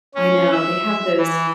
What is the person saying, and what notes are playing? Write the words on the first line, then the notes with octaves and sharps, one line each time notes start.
I know, they have those
C#4
E5
E3